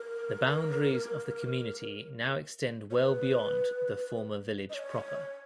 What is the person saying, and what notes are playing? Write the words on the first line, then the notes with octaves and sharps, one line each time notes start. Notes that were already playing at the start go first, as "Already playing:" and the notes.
The boundaries of the community now extend well beyond the former village proper.
Already playing: A#4
C#5
B4
D#5
C#5